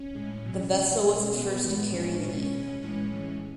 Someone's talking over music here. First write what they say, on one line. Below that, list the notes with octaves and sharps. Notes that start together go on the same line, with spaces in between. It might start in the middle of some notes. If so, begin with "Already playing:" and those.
The vessel was the first to carry the name.
Already playing: C#4
A2 G#3
B2 F#3
B2 F#3 C#4
B2 G#3
B2 G#3 B3
A2 E3 G#3
A2 E3 G#3 C#4
D4
B2 G#3 C#4
B2 G#3
A2 E3 G#3 C#4
A2 E3 G#3